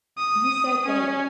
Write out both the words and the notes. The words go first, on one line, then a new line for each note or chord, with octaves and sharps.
You said that
D#6
C#4